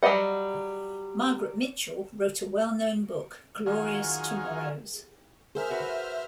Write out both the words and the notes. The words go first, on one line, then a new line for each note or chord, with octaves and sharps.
Margaret Mitchell wrote a well known book, "Glorious Tomorrows".
F#3 G3 C5 D#5 F#5
D#3 F#3 F4 G#4
G#4 A#4 C5 E5 F6
F#4 B4